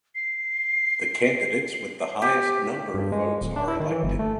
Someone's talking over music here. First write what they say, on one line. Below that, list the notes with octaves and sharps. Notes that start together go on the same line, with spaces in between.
The candidates with the highest number of votes are elected.
C7
G4
G2
G#3
D1
D4
E4
D#3
E3
G1
A3